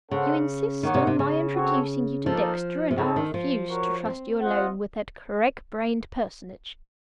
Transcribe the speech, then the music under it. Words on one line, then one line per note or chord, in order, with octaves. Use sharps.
You insist on my introducing you to Dexter, and I refuse to trust you alone with that crack-brained personage.
C#3 C#4 A4 C5 F#5
D#3 A#3 D#4 A#4 C#5 F#5
C3
C3
C#3
C4 F#4 A4 C#5
F3 A#3 D#4 A4
C3
C#3 C4 D#4 A4
D#3
F3
F#4 A#4 C#5
C4
F4 C5 D#5 F#5